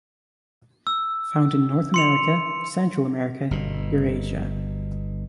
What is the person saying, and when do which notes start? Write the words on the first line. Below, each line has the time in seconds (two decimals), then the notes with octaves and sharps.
Found in North America, Central America, Eurasia.
0.87 E6
1.94 C6 C#7 F7
3.51 G1 B2